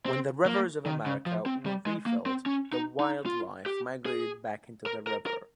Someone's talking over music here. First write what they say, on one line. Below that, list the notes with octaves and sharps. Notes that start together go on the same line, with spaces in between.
When the Rivers of America were refilled, the wildlife migrated back into the river.
C4
A#3
D#3
C#3
F3
C4
G3
G#3
A#3
C4
C#4
D#4
D#4
F4
G4
G#4
A#4
A#4
A#4